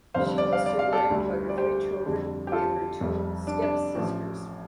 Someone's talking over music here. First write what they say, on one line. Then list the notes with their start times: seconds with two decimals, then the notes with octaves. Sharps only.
She was survived by her three children and her two stepsisters.
0.14 F1 F2 D3 G3 C5 F5
0.38 D5
0.53 F5
0.66 D5
0.79 F5
0.93 A4 D5
1.10 D2 D3 G3
1.49 D5
1.58 G4 C5
2.05 F2 D3 G3
2.47 G4
2.52 F4 A4
3.00 F1 F2 C3 G3
3.47 D4
3.62 D4
3.95 A1 A2 F3